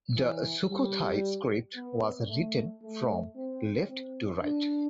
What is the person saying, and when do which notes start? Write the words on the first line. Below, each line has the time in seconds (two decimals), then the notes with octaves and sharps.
The Sukhothai script was written from left to right.
0.15 E3
0.69 G3
1.76 B3
2.28 A3
2.81 A3
3.36 C4
3.89 C4
4.43 D4